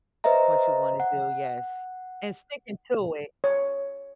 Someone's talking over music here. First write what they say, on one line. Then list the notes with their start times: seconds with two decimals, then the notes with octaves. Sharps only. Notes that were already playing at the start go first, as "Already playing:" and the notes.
What you wanna do. Yes, and sticking to it.
0.24 B4 C5 D#5 E5 A#5
1.00 F#5
3.44 C#5